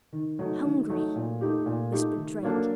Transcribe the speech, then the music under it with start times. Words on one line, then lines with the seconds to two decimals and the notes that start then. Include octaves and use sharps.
"Hungry!" whispered Drake.
0.13 D#3
0.39 F#3 A3 D#4
0.65 D#3
0.89 F#3 A3 D#4
1.15 A#2
1.41 A3 D#4 G4
1.66 A#2
1.92 A3 D#4 G4
2.17 D#3
2.43 F#3 A#3 D4 A4